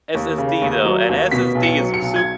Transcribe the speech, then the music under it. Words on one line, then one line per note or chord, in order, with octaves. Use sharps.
SSD, though, an SSD is a soup
D#2
C#3
D#2
F#3
D#2
B2 B6
B1
C#7
F#3
C#7
B1
G#6